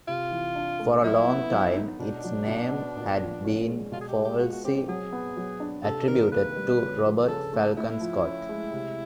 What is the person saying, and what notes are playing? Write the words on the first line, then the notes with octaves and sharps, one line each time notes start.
For a long time, its name had been falsely attributed to Robert Falcon Scott.
C3 F4
E3
D4
A3
F#3 E4
B3
F#3
D#4
B2 D4
F#3
B2
B3
A#2
F3
C#4
G#3
B2 F4
G#4
G4
G#3
G4
F4 F#4
F#4
C4 G4
G4
F#3 G#4
B3
F#3
D4
C3 A4
D#3 A#4
A#3 B4
G3
C#3
F3
C#3 A4
A3
A2 E4
F3
C#4
G#3
C3